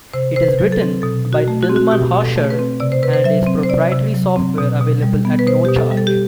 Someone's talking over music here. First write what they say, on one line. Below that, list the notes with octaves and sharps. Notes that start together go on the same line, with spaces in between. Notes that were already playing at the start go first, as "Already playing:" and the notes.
It is written by Tilman Hausherr and is proprietary software available at no charge.
C3 C5
C3 C5
B4
F#3
A4
C4
B2 A4
B2
F#4
A3
F#4
C4
F#4
B2 G4
B2
A4
A3
B4
C4
C3 D5
C5
C3 B4
C5
F#3 E5
C4
C5
C3 D5
C3
F#3
C4
B2
B2
G3
B3
B4
B2 C5
B2 G4
A4
G3
A4
G4